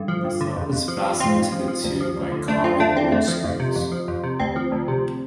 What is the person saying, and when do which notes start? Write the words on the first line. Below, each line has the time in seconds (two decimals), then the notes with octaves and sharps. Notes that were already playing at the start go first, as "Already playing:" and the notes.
The cell is fastened to the tube by common wood-screws.
Already playing: G2 D3
0.08 F3
0.24 G2
0.41 D3
0.56 F2
0.72 F2
0.88 F3
1.04 F3
1.20 F2 C4 F4
1.36 F2
1.52 F3
1.68 F3
1.84 D2
2.01 F3
2.16 D2
2.32 D3
2.48 D2 A3 D4
2.64 F3 C4 F4
2.80 D2 A3 D4
2.96 D3 C4
3.12 F2 A3
3.28 F3
3.44 F2
3.60 C3
3.76 F2
3.92 F3
4.08 F2
4.24 C3
4.40 D2 C4
4.56 F3
4.72 D2
4.88 C3